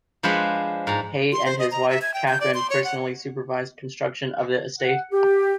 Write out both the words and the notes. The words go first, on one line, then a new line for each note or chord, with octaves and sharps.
Hay and his wife Katherine personally supervised construction of the estate.
F3 G#3 D4 B4 C5 F#5
G#2 A#5
C6
C5
D#5
A#5
E5
G#6
G5
G6
D5
C6
C#5
F#5
F#5
G4